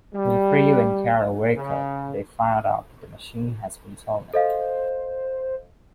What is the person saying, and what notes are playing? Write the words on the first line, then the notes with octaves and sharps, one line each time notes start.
When Frio and Kyaro wake up, they find out the machine has been stolen.
G3
C#3
A4 C5 D#5 F5